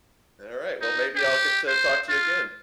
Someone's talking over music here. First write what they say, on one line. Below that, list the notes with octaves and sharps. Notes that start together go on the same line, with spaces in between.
Alright, well, maybe I'll get to talk to you again.
D#4
G4
C5
F4